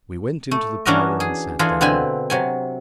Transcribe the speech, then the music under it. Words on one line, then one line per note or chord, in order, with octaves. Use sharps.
We went into the parlour and sat down.
A3
E3 C#4 D4 F#4 A#4 D#5
G#4
E3 D4 F4 G#4 A4
B2 D3 C4 B4 G#5 B5
C3 F#3 G#5